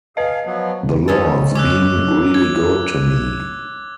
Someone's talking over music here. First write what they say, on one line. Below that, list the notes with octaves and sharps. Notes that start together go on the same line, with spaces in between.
The Lord's been really good to me.
G#4 B4 D#5 F5
F3 F#3 B3
G#3 C#4 A4
C#4 D6 E6 F#6
G#6